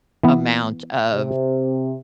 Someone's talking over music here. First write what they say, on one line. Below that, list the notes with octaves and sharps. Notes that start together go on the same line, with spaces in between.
amount of
E3 B3
C3